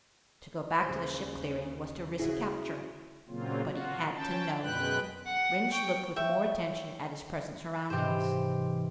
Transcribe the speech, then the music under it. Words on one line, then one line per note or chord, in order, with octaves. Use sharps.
To go back to the ship clearing was to risk capture--but he had to know. Rynch looked with more attention at his present surroundings.
D#2 C#3 C5
C#3 E4 F#4 G#4
A#2 C#3 F#3 A#3 C4 F4
F4 F#4
C#4 G5 A5
F#2 B2 G#3 B4 G5 F#6
F#5
G5 C#6
C#5 E5 G5
G#2 C3 E3 G4 C5